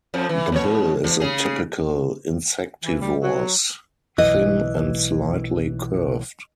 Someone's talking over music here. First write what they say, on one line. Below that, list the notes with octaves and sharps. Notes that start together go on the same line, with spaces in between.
The bill is a typical insectivore's, thin and slightly curved.
F2 F3
E3
F2 B2 C#5
E2
C#3 G#4
E3
G3
F#3
B1 E3 D#5